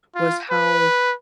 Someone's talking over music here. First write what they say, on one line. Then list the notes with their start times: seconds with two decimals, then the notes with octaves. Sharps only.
was how,
0.15 F4
0.51 B4